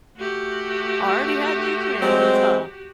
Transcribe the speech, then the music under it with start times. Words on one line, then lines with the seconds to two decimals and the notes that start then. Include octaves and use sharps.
Already had the experience, huh?
0.18 A3 F#4 G4
2.02 F#3 G#3 C4